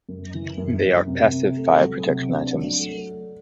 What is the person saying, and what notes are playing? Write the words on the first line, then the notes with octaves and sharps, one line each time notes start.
They are passive fire protection items.
F#2
E3
F#2
F#2
C3
C3
A3
F#3
C3
D4
F#3
A3